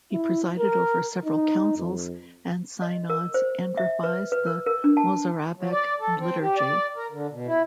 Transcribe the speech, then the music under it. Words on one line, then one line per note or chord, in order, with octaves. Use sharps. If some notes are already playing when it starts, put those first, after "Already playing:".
He presided over several councils and synods and revised the Mozarabic liturgy.
E4
A#4
D#4
F2
D#5
A#4
C5
E5
B4
B4
A#4
A#4
D4
A5
F#3
D5
A4
C4
G4
D5
A#4
D3
B2
E4